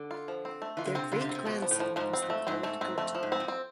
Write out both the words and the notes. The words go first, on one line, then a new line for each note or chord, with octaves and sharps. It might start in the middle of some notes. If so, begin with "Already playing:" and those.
Their great grandson was the poet Goethe.
Already playing: D3
F4
F3
C4
A3
E3 F4
D3
C3 C4
D3 F4
C3
C4
C3
B2 F3
F3
A2
F3
G#2 F3
C4
G#2
A3
G#2 C4
G#2 A3
G#2 C4
F2 A3
F3
G#2
C4
A2
C4